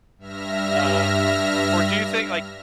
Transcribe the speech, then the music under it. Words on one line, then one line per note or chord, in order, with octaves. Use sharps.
Um, or do you think like,
G2 E5 F6 A#6